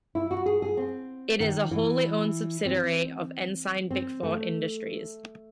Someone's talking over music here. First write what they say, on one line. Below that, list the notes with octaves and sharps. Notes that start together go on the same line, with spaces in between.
It is a wholly owned subsidiary of Ensign-Bickford Industries.
E4
F#4
G#4
G#4
C4
D#3
E3
C4
C4
A3